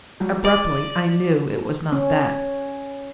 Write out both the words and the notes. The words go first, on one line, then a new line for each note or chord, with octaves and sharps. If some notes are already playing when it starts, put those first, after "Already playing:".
Abruptly I knew it was not that.
F#3 G3
D5 D#5
C#4